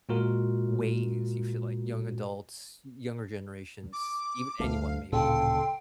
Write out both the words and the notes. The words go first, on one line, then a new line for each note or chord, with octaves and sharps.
ways you feel like young adults, younger generations, even anyone maybe even,
A#2 G#3 F4 F#4 A#4
D6
D2 A3 F5
D1 A#2 C#3 A4 G5 C6